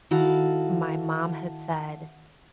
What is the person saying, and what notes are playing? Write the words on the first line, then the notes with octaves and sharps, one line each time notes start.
My mom had said,
D#3 E4 F#4 A4 F5